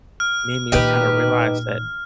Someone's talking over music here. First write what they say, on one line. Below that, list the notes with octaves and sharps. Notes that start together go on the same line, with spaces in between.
made me kinda realize that
F6
A#2 D#3 D#4 G4 B4